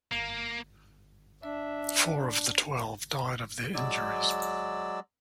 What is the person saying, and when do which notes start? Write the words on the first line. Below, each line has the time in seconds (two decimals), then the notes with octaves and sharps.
Four of the twelve died of their injuries.
0.12 A#3
1.43 D4 E5
3.74 F#3 G#3 D5 E6